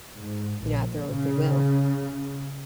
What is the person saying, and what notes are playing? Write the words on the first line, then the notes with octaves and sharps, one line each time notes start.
you know, at their own free will,
G#2
A#1
C#3